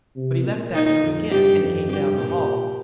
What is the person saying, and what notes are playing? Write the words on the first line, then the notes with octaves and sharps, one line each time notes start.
"But he left that room again and came down the hall."
C3
A#2
D#4
F2
G2 G4
F2
G2 G4
A#2 G4